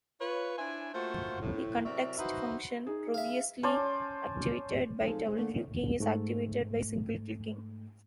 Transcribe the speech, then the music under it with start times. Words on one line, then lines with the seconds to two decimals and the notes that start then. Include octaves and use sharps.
The context function, previously activated by double-clicking, is activated by single-clicking.
0.21 F4 B4 C#5
0.58 D4 E4 C5 E5 G#5
0.94 A3 A#3 F4 F#4 C5
1.41 A2
1.85 C3 F#3 F#4 A#4 D5 E5
2.18 D#4 F#4 B4 C5 D#5 E5
2.87 D#4 G#4
3.14 E5 F5
3.63 C#4 C5 D5 A5
5.03 F3 G#3 C4 D#4 A4
5.25 G#3 C4
5.37 D3 A3 A#3
5.54 F#2 D#3
6.00 G#2 A3